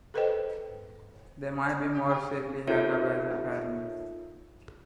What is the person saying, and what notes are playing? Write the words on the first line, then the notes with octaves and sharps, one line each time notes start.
They might be more safely held up as a pattern.
G#4 A4 B4 C5 D#5 G5
D#4 F4 A4 A#4 C#5 E5